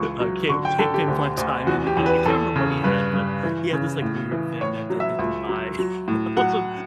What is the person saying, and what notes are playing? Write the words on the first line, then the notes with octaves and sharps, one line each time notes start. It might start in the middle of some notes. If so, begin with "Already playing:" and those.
uh, came, came in one time and i I can't remember what he had, but he had this like weird thing that that they didn't buy, you know, so
Already playing: C#2 E3 C#6
F#3
D3 C#6
G5
D3 A4
G4
D2 G4
D2
E2 F#4
G4
E2
B4
E2 A4
C#3
G2 B4
G2
E3
C#3
A2
E3
A2 C#5
F#3
E5
C#2
F#3
F#3
A2
F#3 F#5